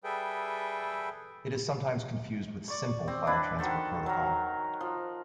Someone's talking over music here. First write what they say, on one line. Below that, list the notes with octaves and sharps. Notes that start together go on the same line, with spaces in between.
It is sometimes confused with Simple File Transfer Protocol.
G3 G#4 A4 B4 E5 G5
D5 C#6
C4
D4 E4 B4
D#3 F#4 A4 C5
F#3 A#4
F3